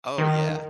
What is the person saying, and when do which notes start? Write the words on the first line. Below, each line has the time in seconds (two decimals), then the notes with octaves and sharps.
Oh, yeah.
0.18 D#3